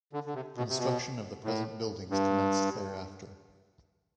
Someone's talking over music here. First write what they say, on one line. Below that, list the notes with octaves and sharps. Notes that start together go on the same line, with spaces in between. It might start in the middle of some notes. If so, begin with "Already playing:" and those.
Construction of the present buildings commenced thereafter.
D3
D3
C3
B2
C3
B2
A2
G2